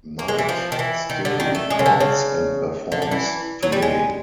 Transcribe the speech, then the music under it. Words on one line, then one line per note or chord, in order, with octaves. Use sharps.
Knight still records and performs today.
A#3
G#3
E3
F3
D#3
E3
D#3
D3
D#3
A3
G#3
C#3
D3
C#3
D3
D3
E3
F#3
G3
G#3